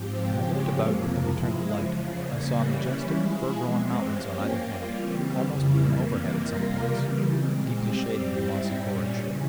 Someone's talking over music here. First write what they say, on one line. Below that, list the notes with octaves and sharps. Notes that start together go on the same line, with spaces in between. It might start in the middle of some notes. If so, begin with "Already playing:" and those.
When I looked about with the return of light I saw majestic fir-grown mountains on either hand, almost meeting overhead at some points, deeply shading the mossy gorge.
Already playing: G#2 F3 C4 G4
C#3 F3 G#3 C#4 G4
F2 C3 F3 A#3
F3 G#3 E4
E2 C#3 F3
C#3 E3 G3 A#3
E3 G3 C#4 E4
F3 G#3 E4 G#4
E2 E3 G#3 C4
F3 A#3 C#4 G4
G3 A#3 F4
C#3 E3 G3 C4 G4
F2 C#3 G3 A#3 E4
C3 E3 G3 A#3
C3 G3 A#3 F4 A#4
C#3 E3 G3
A#2 G#3 C4
G3 C4 G4
G#2 G3 C4 E4
A#2 G3 C#4
E2 C#3 E3